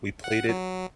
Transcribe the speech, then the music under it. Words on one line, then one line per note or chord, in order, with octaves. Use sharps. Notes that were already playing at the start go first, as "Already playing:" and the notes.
We played it
F#5
F#3